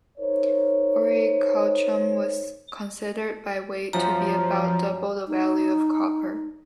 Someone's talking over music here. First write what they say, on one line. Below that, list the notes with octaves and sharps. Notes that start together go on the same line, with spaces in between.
Orichalcum was considered, by weight, to be about double the value of copper.
D#4 A#4 C5 C#5
F#2 F3 A#5
D#4